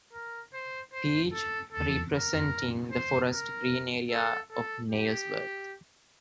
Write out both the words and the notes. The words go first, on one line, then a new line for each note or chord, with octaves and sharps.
Peach, representing the Forest Green area of Nailsworth.
A#4
C5
C5
A4
A4
A#4
C5
A#4
A4
A4
G4